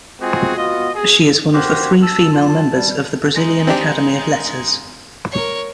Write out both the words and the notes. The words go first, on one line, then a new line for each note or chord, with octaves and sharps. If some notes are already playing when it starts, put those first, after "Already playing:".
She is one of the three female members of the Brazilian Academy of Letters.
G#3 C4 F4 F#4 G#4
B3 F4 F#4 D#5
G#4
F#4 G4 A#4 C5
A5 E6
F4
G3
G#3 D#4
C4 D4 G4
A#4 C#5